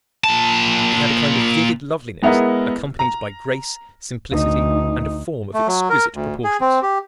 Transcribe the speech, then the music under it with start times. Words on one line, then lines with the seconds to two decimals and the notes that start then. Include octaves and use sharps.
She had a kind of vivid loveliness accompanied by grace, simplicity, and a form of exquisite proportions.
0.24 A#2 A5
2.22 G#3 B3 E4 G#4 A#4
2.99 A#5
4.32 D2 D#4
5.54 A3
5.67 F#3
5.90 A#4
6.15 D2
6.44 G#4
6.61 C4
6.82 G4